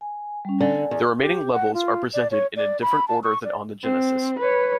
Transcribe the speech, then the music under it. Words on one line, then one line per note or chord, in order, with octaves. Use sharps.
The remaining levels are presented in a different order than on the Genesis.
G#5
G3 C#4
D3 G#5
E2
G4
F#5
F4
D5
C#5
D5
B5
A5
C#6
D5
C4
B4 C#5